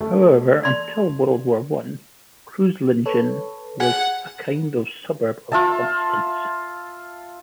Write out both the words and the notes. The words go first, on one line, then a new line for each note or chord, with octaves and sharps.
However, until World War One, Kreuzlingen was a kind of suburb of Constance.
A3
D5 C6
A4 B4 C#5
G#4 F#5 G#5
F4 E5 A5